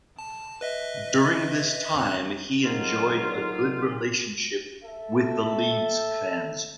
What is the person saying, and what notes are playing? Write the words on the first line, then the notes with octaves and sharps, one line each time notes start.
During this time he enjoyed a good relationship with the Leeds fans.
A5
B4 D#5 E5
F2 F#6
G#2 D3 D#3 F#3 D#4 F4
A4 E5